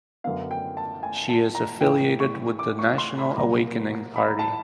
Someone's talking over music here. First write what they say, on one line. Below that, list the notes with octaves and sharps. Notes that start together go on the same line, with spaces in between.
She is affiliated with the National Awakening Party.
F#2 D3 F#3 B3 F5
G5
A5
G#5
A5
A#5
A2 E3 A3 G5
C#6
D6
C#6
C6
B5
C2 A#2 F#3 A#3 A#5
B5
A#5
A5